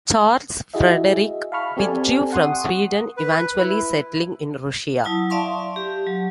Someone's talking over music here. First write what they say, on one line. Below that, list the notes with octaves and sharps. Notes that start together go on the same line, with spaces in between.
Charles Frederick withdrew from Sweden, eventually settling in Russia.
E4 F#4 G#4 D#5 E5
F5 A5 B5 C#6 F6
C4 G4 A4 D5 G#5 A5
F#5 C6 C#6 D#6
B4
E4
F#3 E4 A5 D#6
D5 E5 F5 A5 C6 C#6
G4
F#3